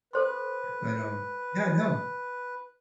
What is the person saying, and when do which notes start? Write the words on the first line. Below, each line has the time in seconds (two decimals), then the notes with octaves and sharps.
but, um Yeah, no
0.13 A4 B4 C5 C6